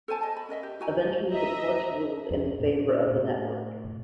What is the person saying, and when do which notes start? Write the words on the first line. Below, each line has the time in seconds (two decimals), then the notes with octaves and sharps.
Eventually the courts ruled in favor of the network.
0.08 A4 C5 G#5 A5
0.21 D#5 A5
0.37 B5
0.49 C#4 A#4 D#5 E5
0.63 G4
0.80 E4 F#4 G#5 A#5
1.31 D#5 E5 A#5
2.31 F2
2.59 A#2
3.12 A2